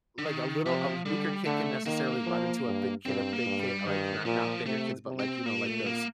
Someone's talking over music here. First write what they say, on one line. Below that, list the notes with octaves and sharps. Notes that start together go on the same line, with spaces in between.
like, a little a weaker kid can necessarily run into a big kid a big kid, like not not bigger kids, but, like, you know, like, those,
D3
D#3
C3 F3
D3 G3
D3 A3
D#3 A#3
F3
G2
G2 C4
A#3
G2
G3
G2 D#3
A#2 F3
C3 A3
C3
C4
A#2 A#3
A3
A#3